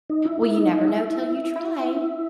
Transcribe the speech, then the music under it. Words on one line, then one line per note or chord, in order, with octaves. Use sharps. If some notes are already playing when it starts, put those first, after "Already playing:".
"Well, you never know till you try."
D#4
E4
E4
D#4
D#4
E4